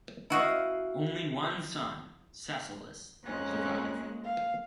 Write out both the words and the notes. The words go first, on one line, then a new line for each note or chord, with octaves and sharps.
Only one son, Thessalus, survived.
E4 F#4 D#5 F5
F2 G#3 A#3 C#4 F#6
F5